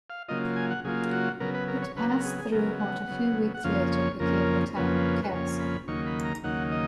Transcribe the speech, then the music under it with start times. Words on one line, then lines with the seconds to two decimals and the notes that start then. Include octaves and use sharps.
It passed through what a few weeks later became the town of Kelsey.
0.10 F5
0.29 C#3 F#3 A#3 F4 D#5
0.56 G#5
0.71 F#5
0.84 C#3 F#3 A#3 F4 G#4
1.12 F#4
1.40 C#3 F#3 B3 A#4
1.54 B4
1.68 A#4
1.82 C#5
1.96 C#3 F#3 B3 B4
2.10 A#4
2.25 G#4
2.38 G#4
2.52 C#3 F#3 B3 A#4
2.80 F#5
3.08 C#3 F#3 B3
3.54 F#5
3.64 F2 C#3 F3 A#3 C#4 F5
3.92 C#5
4.20 F2 C#3 F3 A#3 C#4 A#4
4.76 F2 C#3 F3 A#3 C#4 B4
5.23 B4
5.32 F2 C#3 F3 A#3 C#4 C#5
5.60 B5
5.88 D#2 C#3 F#3 A#3 D#4 C#6
6.06 B5
6.25 A#5
6.44 D#2 C#3 F#3 A#3 D#4 F#5
6.72 D#5